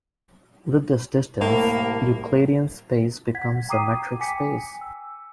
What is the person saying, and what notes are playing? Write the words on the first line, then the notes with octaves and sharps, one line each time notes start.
With this distance, Euclidean space becomes a metric space.
C2 A2 A#3
F#5 G#6 B6
G5 A#5 D6 D#6 C7 D#7
G5 G#5 D6 B6 C#7
E6